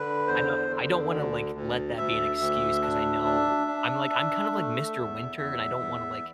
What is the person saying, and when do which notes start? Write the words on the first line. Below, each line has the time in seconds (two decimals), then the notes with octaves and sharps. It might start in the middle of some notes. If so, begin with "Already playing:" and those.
and, uh, I don't wanna, like, let that be an excuse 'cause I know I'm, like, I'm kind of like Mr. Winter, and I don't wanna, like,
Already playing: D3 B4
0.28 E2 C5
0.70 D3
1.12 D2
1.55 D2
1.98 D2 E5
2.40 D2
2.82 D4
3.24 D4
3.67 D4
4.10 D4
4.52 A3
4.95 E2
5.37 E2 E5
5.79 E2